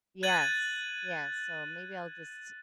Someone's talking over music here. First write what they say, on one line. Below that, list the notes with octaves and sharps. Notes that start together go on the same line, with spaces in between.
Yes, yes. So maybe I'll just
F#6 G#6 A6 D#7 F#7